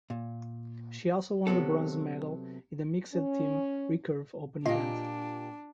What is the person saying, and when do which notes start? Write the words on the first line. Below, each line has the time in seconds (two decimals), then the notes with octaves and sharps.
She also won the bronze medal in the mixed team recurve open event.
0.10 A#2
1.47 C3 F#3 B3 A4
3.14 C#4
4.66 A#2 A#3 D4 F4 G4 D#5 F5